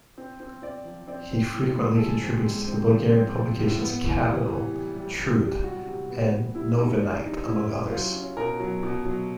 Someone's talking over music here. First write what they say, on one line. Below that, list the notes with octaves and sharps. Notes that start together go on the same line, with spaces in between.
He frequently contributes to the Bulgarian publications "Capital", "Trud" and "Novinite", among others.
C4
C4
C4 D5
F3
C4 D5
C4
A2
G#3
A4
F3 G#4
C4
G#3
C4
F3
C4
F3
A2
B3
E3
C3
E3
G3
G3
C3
G3
G3 F#4
C3
B3
G3
C3 E4
G3 D#4
G3 D4
C3 D#4
C#4 E4
C#4
F#3 F4
C#4
B2 A#4
F#3
B2
F#3